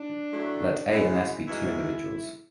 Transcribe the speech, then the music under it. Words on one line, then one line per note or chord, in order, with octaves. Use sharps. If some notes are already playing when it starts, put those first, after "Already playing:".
Let "a" and "s" be two individuals.
Already playing: D4
A2 F#3 A3
F#2 C#3 E3 G#3
F#2 E3 G#3 E4